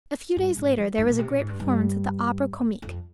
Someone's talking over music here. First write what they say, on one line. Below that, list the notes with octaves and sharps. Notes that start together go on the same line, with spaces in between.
A few days later there was a great performance at the Opera Comique.
G2
G#2
F3
G#2
A#2
C3
A#2
G#2
G2
G2
F2